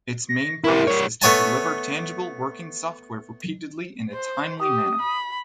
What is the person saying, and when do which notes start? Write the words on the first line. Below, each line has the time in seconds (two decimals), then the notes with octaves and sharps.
Its main purpose is to deliver tangible, working software repeatedly in a timely manner.
0.29 A#6
0.64 E4 G4 A#4
0.87 G3 C#5
1.22 A3 B3 C#5 G#5 A5
4.13 C5
4.60 G4 D#6
5.00 B5